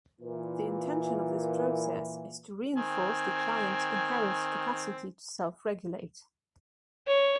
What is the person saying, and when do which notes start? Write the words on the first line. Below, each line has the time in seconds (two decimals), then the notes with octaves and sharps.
The intention of this process is to reinforce the client's inherent capacity to self-regulate.
0.21 A#2 E3
2.76 D#3 C4 G#5
7.07 C#5